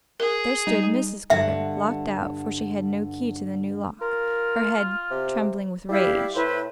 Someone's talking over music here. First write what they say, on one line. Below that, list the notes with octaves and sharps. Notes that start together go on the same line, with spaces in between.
There stood Mrs. Cutter,--locked out, for she had no key to the new lock--her head trembling with rage.
G#4 A#4
G3 D#4
G2 D3 E5 F#5
F4 A#4
C3
G3 E4 G4 F5
A2 E4 B4 C5